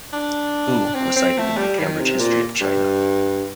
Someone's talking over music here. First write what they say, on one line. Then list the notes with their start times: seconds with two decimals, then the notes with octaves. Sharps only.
Hu was cited in "The Cambridge History of China".
0.13 D4
0.95 C4
1.16 C4
1.38 A3
1.57 G3
1.79 D#3
1.99 C3
2.20 A#2
2.61 G2